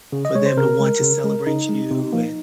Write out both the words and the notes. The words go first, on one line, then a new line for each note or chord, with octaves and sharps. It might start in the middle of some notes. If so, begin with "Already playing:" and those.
for them to want to celebrate you, and
C#3
D#5
G#3 C#5
C5
C#3 A#4
G#3
C#3
G#3
C#3 D#4
G#3
C3
F3 A#3